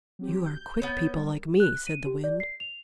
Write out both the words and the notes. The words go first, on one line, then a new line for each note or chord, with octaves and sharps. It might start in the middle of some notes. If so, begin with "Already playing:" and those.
"You are quick people like me," said the Wind.
F#3 C4 G4
G6
B3 C#4
G3 A#4
F#6
D#7
G4
D5
C7
F7